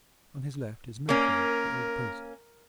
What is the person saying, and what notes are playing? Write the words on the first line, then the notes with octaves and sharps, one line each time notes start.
On his left is Matthew, the old priest.
A#3 C#4 A#4